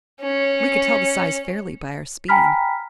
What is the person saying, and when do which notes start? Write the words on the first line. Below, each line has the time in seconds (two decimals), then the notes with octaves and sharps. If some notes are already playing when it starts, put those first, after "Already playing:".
We could tell the size fairly by our speed.
0.21 C#4
2.29 G5 G#5 A#5 B5 F6 B6